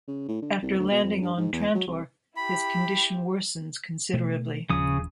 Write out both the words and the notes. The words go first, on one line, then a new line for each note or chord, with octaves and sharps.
After landing on Trantor his condition worsens considerably.
C#3
A2
D3
C2
D2
B2
F2
G2
G#2
E2
F#3
C2
E4 G4 B5
B2 A3
D#1 C#3 F3 D#6